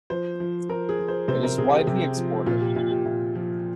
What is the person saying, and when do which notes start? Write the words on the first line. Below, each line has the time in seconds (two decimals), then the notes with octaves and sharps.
It is widely exported.
0.10 F3 C5
0.40 F3
0.69 F3 A#4
0.89 G#4
0.99 F3
1.08 C5
1.28 C3 C5
1.43 A#4
1.58 C3 G#4
1.73 G4
1.87 C3 G4
2.17 F3
2.46 A#2 F4
2.61 G4
2.75 A#2 F4
2.90 G4
3.06 A#2
3.35 F3